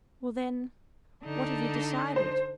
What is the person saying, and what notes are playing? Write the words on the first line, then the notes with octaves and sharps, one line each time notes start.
"Well, then, what have you decided?"
D3 D4 D#4
C5